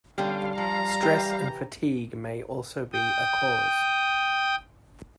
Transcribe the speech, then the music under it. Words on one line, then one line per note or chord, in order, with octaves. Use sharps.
Stress and fatigue may also be a cause.
D3 G3 C#4 G4 F5
F3 A#5
E3 G4 B4
G5 D#6